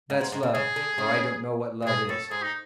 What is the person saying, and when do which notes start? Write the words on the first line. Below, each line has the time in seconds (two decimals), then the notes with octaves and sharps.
"That's love, or I don't know what love is."
0.10 G#2
0.21 G#2
0.32 G#2
0.43 C#3
0.54 C#3 G#4
0.76 D3
0.98 C#3
1.82 A#2
1.87 B2 G#4
2.09 A2 A4
2.31 G#2 G#4
2.42 D#4